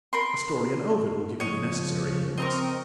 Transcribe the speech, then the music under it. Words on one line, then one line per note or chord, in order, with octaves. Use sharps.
A story in Ovid will give you the necessary hints.
A#4 B5 C6
C#3 F3 C#5 D#5
C4 A#4 D#5 A#5 C#6